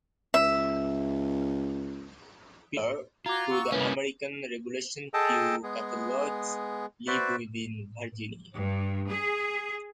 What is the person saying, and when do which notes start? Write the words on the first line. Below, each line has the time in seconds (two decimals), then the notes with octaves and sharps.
Prior to the American Revolution few Catholics lived within Virginia.
0.34 C#2 E5
3.26 F4 F#4 A#5 D6 G#6
3.51 F#5 C#6 E6
3.72 C2 A#3 C#4 E4 B4 E5
5.14 G#4 A4 D#5 G5 A5
5.63 G#3 B3 G#4
7.07 F#4 B4 C5 D5 E5
8.57 G2
9.09 G#4